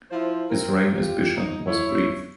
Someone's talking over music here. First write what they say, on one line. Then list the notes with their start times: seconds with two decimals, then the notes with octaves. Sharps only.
His reign as bishop was brief.
0.10 F3 E4 C5
0.50 C4 A#4
0.93 F4 G4
1.36 D#4
1.67 E4 C#5